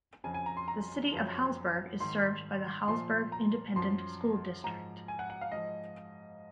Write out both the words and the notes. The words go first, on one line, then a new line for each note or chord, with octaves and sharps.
The City of Hallsburg is served by the Hallsburg Independent School District.
F2 C#3 F3 G#5
G#5
A#5
C6
A#5
F#2 C#3 F3
G#2 D#3 C6
A#2 F3 C6
A#5
F#2 F3 C6
G#2 F3 A#5
G#5
F#5
F#5
F5
G#2 F3 D#5